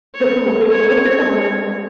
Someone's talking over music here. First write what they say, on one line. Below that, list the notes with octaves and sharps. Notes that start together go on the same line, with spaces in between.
Life alert on my phone.
C#5
C#5 G#6